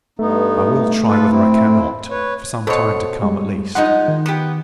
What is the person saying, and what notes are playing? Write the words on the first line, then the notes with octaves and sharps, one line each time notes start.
I will try whether I cannot; for some time to come, at least.
G2 A3 B3 D#4
F4 A4 B4
C4 E4
B4 C#5
B2 A4 C5 C#5
G3 G#3
F3 G#3 D#4 F#5
D#3
B3 G4